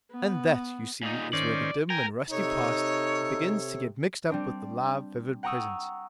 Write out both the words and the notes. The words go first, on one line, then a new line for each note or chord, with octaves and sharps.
And that, you see, is where the dim and rusty past begins to get mixed up with the live, vivid present.
B3
A#2 D#4
D#3 C#4 C5 D5
A#4 G5 G#5 A#5
C3 D#4 A4 C#5
G3 C4 D4
F#5 G5 A#5 C#6 D#6 E6